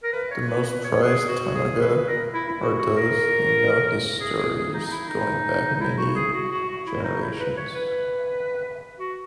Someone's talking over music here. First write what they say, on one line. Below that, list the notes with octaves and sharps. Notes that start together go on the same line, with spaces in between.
The most prized taonga are those with known histories going back many generations.
A#4
B4
C#5
B4
B4
C#5
G#4
F#4
G#4
B4
A#4
E4
E4
F#4
F#4
A#4
G#4
G#4
G#4
D#4
D#4
E4
D#4
D#4
E4
F#4
G#4
F#4
F#4
F#4
E4
D#4
E4
B4
C#5
B4
F#4